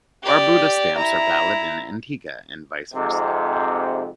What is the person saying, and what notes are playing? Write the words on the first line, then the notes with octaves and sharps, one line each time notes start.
Barbuda stamps are valid in Antigua and vice versa.
G4 D5
E4 A#5
F2 G#2 C3